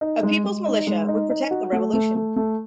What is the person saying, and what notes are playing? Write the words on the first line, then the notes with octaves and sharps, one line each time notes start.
A "people's militia" would "protect the revolution".
D#4
G#3
G#3
D#4
G#3
D#4
D#4
F#4
A3
A3
A3
A3